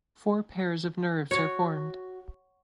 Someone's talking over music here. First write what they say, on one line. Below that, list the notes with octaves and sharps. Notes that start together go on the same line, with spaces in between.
Four pairs of nerves are formed.
F#4 C#5